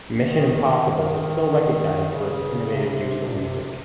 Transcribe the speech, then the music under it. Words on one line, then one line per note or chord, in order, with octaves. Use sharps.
"Mission: Impossible" is still recognized for its innovative use of music.
D#3
D#3
C#3
C3
C#3
C3
A#2
C3
C3